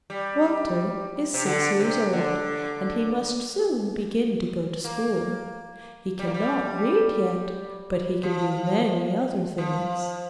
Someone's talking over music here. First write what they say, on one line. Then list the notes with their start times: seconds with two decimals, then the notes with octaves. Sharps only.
Walter is six years old, and he must soon begin to go to school. He cannot read yet, but he can do many other things.
0.10 G3
1.34 C3
1.45 D3
1.79 C3
2.13 D3
4.84 A#3
6.19 G3
6.27 A#3
6.34 G3
8.23 F3
9.58 F3